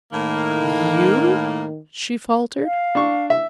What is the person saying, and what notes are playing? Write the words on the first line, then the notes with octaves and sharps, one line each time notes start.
"You?" she faltered.
A2 D#3 A#3
F5
D4 C#6
E5